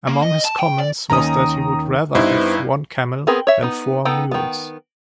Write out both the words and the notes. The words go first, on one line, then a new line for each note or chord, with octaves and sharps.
Among his comments was that he would rather have one camel than four mules.
A#3
D#5
A5
G5
D5
D#2 D#3 C#4 A#5 D#6
G2 B3 D#4 E4 C5
B3 C4 G#4 A#4 B4
C#5 E5
B3 D#4
B3 D#4 A4 G5
D#3 B3